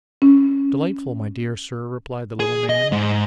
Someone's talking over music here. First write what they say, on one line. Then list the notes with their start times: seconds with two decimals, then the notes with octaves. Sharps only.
'Delightful, my dear Sir,' replied the little man.
0.22 C#4
2.40 G#4
2.70 D#5
2.92 G#2